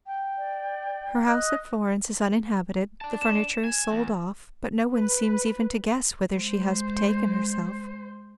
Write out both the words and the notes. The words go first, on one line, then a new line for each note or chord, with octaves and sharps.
Her house at Florence is uninhabited, the furniture is sold off; but no one seems even to guess whither she has betaken herself.
G5
D5
D#5 F#6
D5 A5
E7
G#5
E2
B4
G#3 C5